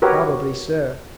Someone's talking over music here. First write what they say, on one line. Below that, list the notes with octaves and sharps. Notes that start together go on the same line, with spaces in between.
Probably so.
F#4 G4 A#4 B4 C#5